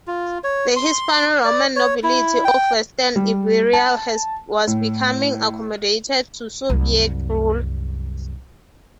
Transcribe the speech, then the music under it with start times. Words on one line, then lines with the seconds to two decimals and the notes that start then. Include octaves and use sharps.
The Hispano-Roman nobility of western Iberia was becoming accommodated to Suevic rule.
0.07 F4
0.44 C#5
0.76 C6
1.45 D5
1.76 C#5
2.04 E4
2.45 G5
3.16 G3
3.73 A5
4.67 A2
6.70 C2 F#2